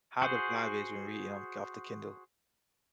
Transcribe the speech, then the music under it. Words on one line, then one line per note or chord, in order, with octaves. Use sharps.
how the vibe is when reading on off the Kindle?
F#4 G#4 C5